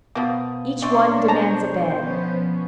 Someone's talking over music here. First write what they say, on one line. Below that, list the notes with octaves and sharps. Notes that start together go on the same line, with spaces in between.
Each one demands a bed.
B2 F3 A#3 D#6
C3 D4 C#5 D5 C6 C#6
C5 A5 A#5
F3 B3 C#4 B4